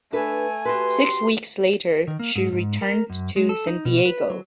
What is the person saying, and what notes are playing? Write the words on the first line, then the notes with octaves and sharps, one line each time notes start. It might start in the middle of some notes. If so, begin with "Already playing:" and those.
Six weeks later, she returned to San Diego.
A3 D4 A4 B4 G#5
F#4 G4 B4 C6
D#3
A#3
G#2
G#2
A#4
F#2
G#3
A4
D#4
B2
B4
F#3